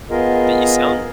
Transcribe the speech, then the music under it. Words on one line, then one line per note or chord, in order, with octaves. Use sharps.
But you sound
B3 F4 G#4 A#4 D#5